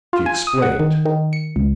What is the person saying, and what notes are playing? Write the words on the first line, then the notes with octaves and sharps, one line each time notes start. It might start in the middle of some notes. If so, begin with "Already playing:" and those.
She explained.
F4
G#5
D#6
F#5
D#3
D#3
C#7
C#2